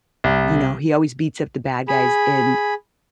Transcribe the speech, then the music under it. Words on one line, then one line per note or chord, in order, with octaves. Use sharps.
you know, he always beats up the bad guys in
C2
G#4 B5